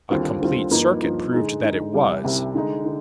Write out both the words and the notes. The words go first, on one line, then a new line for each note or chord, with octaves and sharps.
A complete circuit proved that it was.
D#2 D3 G3 C4 F4
D#2 D3 G3 C4 F4
G2 F3 A#3 D#4
G2 F3 A#3 D#4
D3 G#3 D#4
D3 G#3 D#4
C2 C3 G3
C2 C3 G3
D3 G#3 D#4
D3